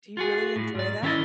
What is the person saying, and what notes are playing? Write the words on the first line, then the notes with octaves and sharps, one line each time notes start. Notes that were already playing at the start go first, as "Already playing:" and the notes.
Do you really enjoy that?
F4 F#4 G#4
A2
G#2 D5
D#3 C#4 E4 A4 D5 D#5